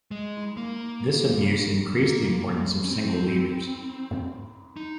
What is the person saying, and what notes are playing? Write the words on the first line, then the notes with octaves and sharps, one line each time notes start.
This abuse increased the importance of single leaders.
G#3
A#3
A#3
C#4
C4
D#4